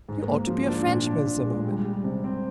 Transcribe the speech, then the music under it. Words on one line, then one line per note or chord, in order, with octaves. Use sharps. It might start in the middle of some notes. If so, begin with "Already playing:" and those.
You ought to be a Frenchman, Sir Norman!
G#2
A#3
F3
D4
A#2
D4
A#2
G#3
G3
G3
C3
C4